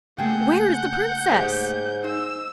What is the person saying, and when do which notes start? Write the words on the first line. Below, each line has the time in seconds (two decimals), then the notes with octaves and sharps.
'Where is the princess?'
0.18 C#3 A3 A#3 G#4 A4 F#5 G5 G6
1.32 G#2 G4 C#5 D#6
2.04 D#4 C5 E6